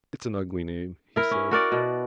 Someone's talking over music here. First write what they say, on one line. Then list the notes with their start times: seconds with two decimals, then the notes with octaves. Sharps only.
"It's an ugly name," he said.
1.16 E4 A#4
1.31 C#4
1.51 F#4 A#4 D5
1.72 B2